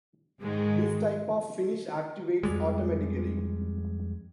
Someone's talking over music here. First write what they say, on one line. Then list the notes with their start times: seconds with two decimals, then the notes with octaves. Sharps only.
This type of finish activates automatically.
0.41 G#2 D#3 G#3
2.43 F2 G3 G#3